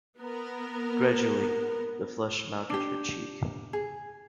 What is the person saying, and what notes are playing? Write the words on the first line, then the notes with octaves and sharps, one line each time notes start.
Gradually the flush mounted her cheek.
B3 A#4
D4 G4
G#4